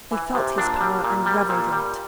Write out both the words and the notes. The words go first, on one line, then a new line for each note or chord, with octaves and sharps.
He felt his power and revelled in it.
E3
C3
A#2 D4
G3
A#2
G3
A#2
G3